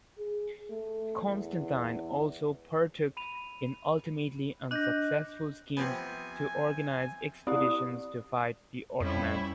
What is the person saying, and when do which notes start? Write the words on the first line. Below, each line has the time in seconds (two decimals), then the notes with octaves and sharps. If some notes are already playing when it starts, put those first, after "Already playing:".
Constantine also partook in ultimately unsuccessful schemes to organize expeditions to fight the Ottomans.
0.18 G#4
0.70 A3
1.23 E2
3.17 B5 D#7 F7
4.71 D4 D#5 F#6 G6 A#6
5.77 C3 F3 B3 G#5
7.47 C4 E4 G4 D5 D#6
9.00 F2 G3 C#4 E4